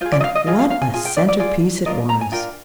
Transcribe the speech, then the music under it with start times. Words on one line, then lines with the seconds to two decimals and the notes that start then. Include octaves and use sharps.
And what a centrepiece it was!
0.01 F4 C5
0.06 G#4
0.12 D5
0.20 D#5
0.24 F5
0.35 D#5
0.46 F4 G#4 D#5
0.59 F5
0.70 F5
0.82 G#5
0.94 F4 G#4 G#5
1.05 G5
1.17 D5
1.28 D5
1.39 F4 G#4 D5
1.86 D4 F4 A#4 D#5
2.09 A#5
2.21 G#5
2.32 D4 F4 A#4 G5